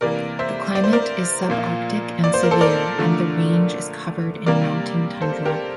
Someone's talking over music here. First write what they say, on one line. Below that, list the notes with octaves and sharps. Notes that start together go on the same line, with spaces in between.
The climate is subarctic and severe and the range is covered in mountain tundra.
C3 E3 A#3 A#4 D5
C5 E5
D5
C5
A#4 D5
A#2 F3 A#3
D5
C5
A#4
A4 C5
A#4 D5
D3 F3 A3
C3 G3 A#3 A#4 D5
A4 C5
G4 A#4